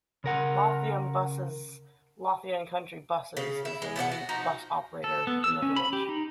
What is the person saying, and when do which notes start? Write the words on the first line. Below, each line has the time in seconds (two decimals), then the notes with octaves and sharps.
Lothian Buses's "Lothian Country Buses" is the main bus operator in the village.
0.24 C#3 A#4 F#5
3.37 C#3
3.65 E4
3.82 G#3
3.96 B2 E4 G4 F#5
4.12 F#4
4.29 F3 D#4 F#4 A#5
5.04 A4
5.27 B3
5.44 E6
5.62 C#4
5.76 B5
5.93 G4
6.09 D#4